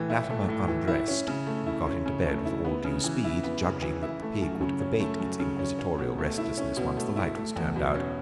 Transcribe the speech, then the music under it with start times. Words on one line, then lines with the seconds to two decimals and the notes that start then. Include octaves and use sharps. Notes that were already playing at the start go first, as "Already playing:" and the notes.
Latimer undressed and got into bed with all due speed, judging that the pig would abate its inquisitorial restlessness once the light was turned out.
Already playing: A2 E3 A3
0.10 E4
0.30 A3
0.49 A2
0.68 E3
0.88 E4
1.08 C#4
1.28 C#3
1.47 A3
1.66 E4
1.87 C#4
2.06 C#3
2.26 A3
2.45 E4
2.64 B3
2.84 C#3
3.04 E3
3.24 E4
3.44 B3
3.63 C#3
3.82 E3
4.02 E4
4.22 A3
4.42 F#2
4.61 C#3
4.80 C#4
5.00 A3
5.20 F#2
5.40 C#3
5.59 C#4
5.79 C#4
5.98 B2
6.18 A3
6.38 E4
6.58 C#4
6.77 B2
6.97 A3
7.16 E4
7.36 A3
7.56 E2
7.76 B2
7.95 C#4